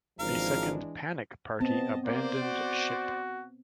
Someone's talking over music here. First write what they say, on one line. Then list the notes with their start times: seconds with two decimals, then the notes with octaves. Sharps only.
A second "panic party" abandoned ship.
0.19 G#1 E3 F3 G#3 D4 A#4 F5
1.61 B3 C4 D#5 A5
2.06 A#3 C5 D5
2.42 F#4